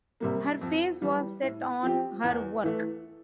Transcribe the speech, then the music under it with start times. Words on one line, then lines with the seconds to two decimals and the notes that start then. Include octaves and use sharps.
Her face was set on her work.
0.20 C3 G3 A#3
0.61 F2
1.02 E3 G3
1.42 A2
1.83 F3 C4 G4
2.23 E2
2.64 E3 A3